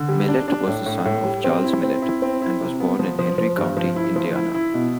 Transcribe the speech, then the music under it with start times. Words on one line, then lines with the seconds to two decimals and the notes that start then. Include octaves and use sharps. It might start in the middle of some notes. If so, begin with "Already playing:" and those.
Mellette was the son of Charles Mellette and was born in Henry County, Indiana.
Already playing: D3
0.09 G3
0.28 D4
0.48 D4
0.67 A2
0.86 A2
1.06 A2
1.25 G3
1.44 C4
1.64 E4
1.83 C4
2.02 E4
2.22 C4
2.41 E4
2.61 C3
2.80 B3
2.99 F3
3.19 F3
3.38 F3
3.58 G2
3.77 F3
3.96 E4
4.16 F3
4.35 E4
4.54 E4
4.74 B2